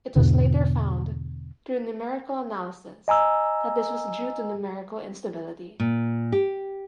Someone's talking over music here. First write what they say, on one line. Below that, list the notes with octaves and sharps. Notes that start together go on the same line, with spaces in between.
It was later found, through numerical analysis, that this was due to numerical instability.
E2 G#2 B2 D3
D#5 G#5 A#5 E6
A#2
G4